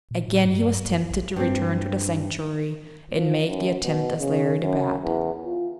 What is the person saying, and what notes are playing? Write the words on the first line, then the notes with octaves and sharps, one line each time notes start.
Again he was tempted to return to the Sanctuary and make the attempt as Larry the Bat.
A#2
A2
G2
F#2
A#1
G2 C4
F3
F#2
B2
C#3
F#2
E2
F4